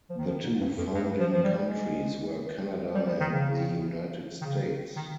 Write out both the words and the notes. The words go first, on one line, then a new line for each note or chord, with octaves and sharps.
The two founding countries were Canada and the United States.
F3
D#3
F3
G#2
G2
F2
G2
F3
F3
G3
G#3
G3
F3
D#3
C#3
D#3
C#3
D#3